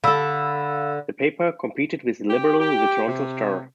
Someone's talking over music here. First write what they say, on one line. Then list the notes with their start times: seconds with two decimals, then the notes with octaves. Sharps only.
The paper competed with the liberal "The Toronto Star".
0.04 D3 A4 F5 B5 E6
2.30 G4
2.60 G4
3.08 C3